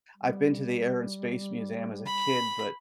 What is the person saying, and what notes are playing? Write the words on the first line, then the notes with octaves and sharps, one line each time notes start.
I've been to the Air and Space Museum as a kid, but
G3
B5